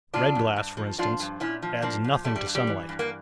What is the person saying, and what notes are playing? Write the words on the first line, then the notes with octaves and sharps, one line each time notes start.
Red glass for instance adds nothing to sunlight.
C#3 D4 F4
F2
G2
F3
F3 D4 F4
G2
A#2 C#4 E4
F3
F3 A#3 D4
A#2
G3 A3
G3
G2
G3
E3
G2
A#3